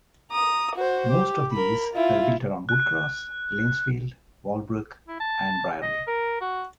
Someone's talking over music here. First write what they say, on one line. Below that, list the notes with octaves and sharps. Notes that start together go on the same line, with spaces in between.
Most of these were built around Woodcross, Lanesfield, Wallbrook, and Brierley.
A#5 D#6
F#4 C5
G4
A#4 B5
E4 F4
F#6
E4
A5
D#5
A#4
F#4